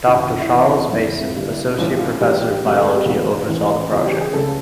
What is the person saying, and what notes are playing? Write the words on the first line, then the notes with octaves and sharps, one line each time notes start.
Doctor Charles Mason, Associate Professor of Biology, oversaw the project.
F#1 F#2 D#3 G3 F4
F4
E4
F1 F2 C3 E3
F1 F2 D3 F3 G#3 E4
G2 D3 G3 A#3
A1 A2 F3 F4
F4
G2 E3 G#3 G4
F2 D3 F#3 A3
A4
G#4
G4
F1 E2 B2 G3 A#3 F#4
A1 A2 E3
E2 C#3 F#3 F4
G4
G#4
C#2 C#3 F3 A3 A4